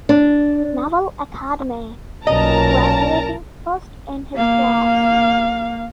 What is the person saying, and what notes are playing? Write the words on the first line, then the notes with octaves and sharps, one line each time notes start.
Naval Academy, graduating first in his class.
D4
B1 A#2 C#4 A#4 D#5 A5 A#5
A#3 F5